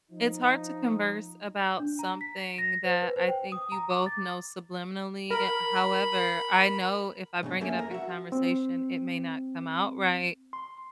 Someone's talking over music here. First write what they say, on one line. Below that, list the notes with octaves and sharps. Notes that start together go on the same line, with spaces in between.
It's hard to converse about something that I think you both know subliminally, eh, however, I know if I bring it up in conversation, it may not come out right.
F3 D#4
D4
A#5
B6
A#6
C5
B4
C5
G5
D#6
A#5
D6
A6
A#4 B5
B1 G2 B2
F#2 A3 A#3 C#4 G#4
A#4
F#4 E5
C4
C6